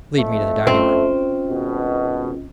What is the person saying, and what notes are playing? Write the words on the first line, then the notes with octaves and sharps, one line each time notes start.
"Lead me to the dining-room."
F2 A3
C4 C#4 F4 D#5
G#1 B2